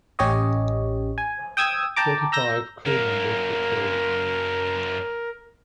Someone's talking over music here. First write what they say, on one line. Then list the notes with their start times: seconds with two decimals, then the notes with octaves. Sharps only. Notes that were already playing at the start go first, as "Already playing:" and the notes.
Thirty-five crew members were killed.
0.19 A1 C#4 G4 C#5 D#5
1.18 G#5
1.57 G5 D#6 E6 G#6
1.96 G5 A5 A#5 D6
2.32 A#5 E6 G6 A#6
2.86 F#2 A#3 A#4